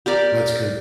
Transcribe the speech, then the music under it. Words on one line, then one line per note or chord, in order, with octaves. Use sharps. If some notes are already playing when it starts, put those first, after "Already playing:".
That's good.
G4 A#4 D5